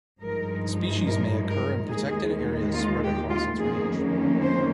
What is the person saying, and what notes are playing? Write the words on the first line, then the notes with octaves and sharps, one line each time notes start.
The species may occur in protected areas spread across its range.
G2 F3 G#3 D#4 A#4
A#4
A#4
D#2 D#3 G#3 G#4
F4
G4
F4
F2 D#3 A#3 C#4 G#4
C5